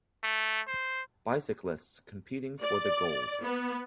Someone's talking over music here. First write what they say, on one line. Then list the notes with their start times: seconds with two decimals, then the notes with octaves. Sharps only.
Bicyclists competing for the gold.
0.23 A3
0.67 C5
2.62 D5
3.43 B3